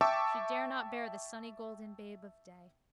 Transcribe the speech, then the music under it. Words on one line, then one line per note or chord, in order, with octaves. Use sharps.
She dare not bear the sunnygolden babe of day.
E5 G5 A5 C#6 D6 E6